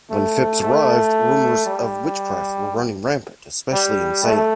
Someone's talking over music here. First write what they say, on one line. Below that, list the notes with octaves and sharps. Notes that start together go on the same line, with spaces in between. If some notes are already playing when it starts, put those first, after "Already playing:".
When Phips arrived, rumors of witchcraft were running rampant, especially in Salem.
A3
A3
G3
G3
A3